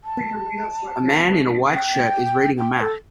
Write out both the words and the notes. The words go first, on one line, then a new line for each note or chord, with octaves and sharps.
A man in a white shirt is reading a map.
A5
G5
G5
A4